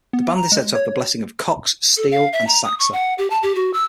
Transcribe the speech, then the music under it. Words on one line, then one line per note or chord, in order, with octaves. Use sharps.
The band is said to have the blessing of Cox, Steele and Saxa.
B3
A#5
G#3
C#5
A4
F5
E5
A#5
D#6
C#6
F#5
G4
A5
G4
F#4
E6